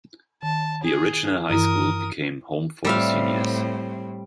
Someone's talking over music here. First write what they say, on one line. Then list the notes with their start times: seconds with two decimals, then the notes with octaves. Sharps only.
The original high school became home for the seniors.
0.43 D#3 A5
0.83 G#4
1.49 G2 E3 E4 A#4 D#6
2.85 A2 G3 C4 E5 F5